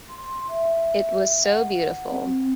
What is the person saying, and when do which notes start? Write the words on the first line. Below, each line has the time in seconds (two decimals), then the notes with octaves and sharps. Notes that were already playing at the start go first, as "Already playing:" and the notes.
It was so beautiful.
0.09 C6
0.49 E5
1.43 F#5
2.09 C4